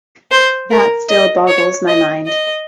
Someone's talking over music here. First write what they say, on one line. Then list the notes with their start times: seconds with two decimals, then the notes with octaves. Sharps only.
That still boggles my mind.
0.31 C5
0.71 A#4
1.09 D#5
1.48 C#5
1.88 D#5
2.26 D#5